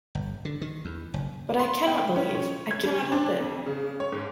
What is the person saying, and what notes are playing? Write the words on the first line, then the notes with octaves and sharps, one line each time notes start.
But I cannot believe! I cannot help it!
G1
D3
D#3
E2
F#1
C6
G5
C#4
C#5
G#6
G3
D4
F2
C#3
C#5
G#2